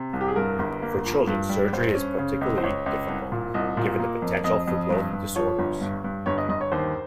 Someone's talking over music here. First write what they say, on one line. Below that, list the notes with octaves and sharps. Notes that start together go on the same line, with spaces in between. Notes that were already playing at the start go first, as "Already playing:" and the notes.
For children surgery is particularly difficult, given the potential for growth disorders.
Already playing: C3
C2
G4
G#4
G2 A#4
G1
A#3
F3
G2
G3
G2 C5
C#4
C#3
C#2
C5
C#2 C#5
C#2
C2
A#2
C2 D#5
A#2
A#3
F2
F2 D#5
F2
G2
G2
F3 C#5
G1
G2
G2
G1 C#5
D#5
G1 D#5
C#5
D#2 C5